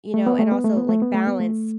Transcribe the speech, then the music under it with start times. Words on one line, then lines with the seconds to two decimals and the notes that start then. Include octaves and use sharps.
You know, and also, like, balance
0.14 A3
0.27 B3
0.39 A3
0.52 B3
0.64 A3
0.77 B3
0.89 A3
1.02 B3
1.14 A3
1.27 B3
1.40 A3